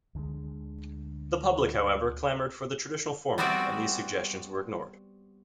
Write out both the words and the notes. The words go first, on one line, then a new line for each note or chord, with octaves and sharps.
The public however clamoured for the traditional format and these suggestions were ignored.
D2 D3 D#3 G#3
G3 B3 C4 F#4 D5 E5